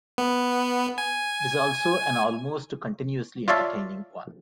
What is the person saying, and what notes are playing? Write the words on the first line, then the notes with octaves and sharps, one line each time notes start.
It is also an almost continuously entertaining one.
B3
G#5
F4 C#5 D5 E5 F5 A5